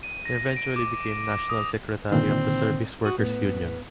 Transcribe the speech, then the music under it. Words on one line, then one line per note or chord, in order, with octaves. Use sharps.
He eventually became National Secretary of the Service Workers' Union.
D#7
A#6
D7
D6
D#6
A#2 D3 D#3 C4
F#4 D#6
A2 B3